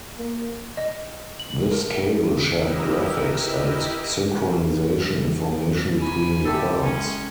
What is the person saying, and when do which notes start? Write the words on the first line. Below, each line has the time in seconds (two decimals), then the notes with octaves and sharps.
This cable shared graphics and synchronization information between the cards.
0.18 A#3
0.77 D#5
1.39 F#7
1.71 A#4
2.55 E4 G4 A#4 B4 D#5 E5
5.99 G#5 B5
6.45 E4 G4 A4
6.81 G#3 C#4